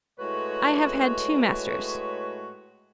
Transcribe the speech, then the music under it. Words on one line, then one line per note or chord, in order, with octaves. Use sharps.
I have had two masters.
A2 G#3 F#4 B4 C#5